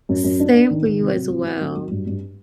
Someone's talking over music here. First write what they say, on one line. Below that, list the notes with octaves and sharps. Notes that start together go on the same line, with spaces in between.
Same for you as well.
F#2
F#2
D4
D4
D#3
D#3
C3
F#3
C4
C4
F#3
F#3
G2
G2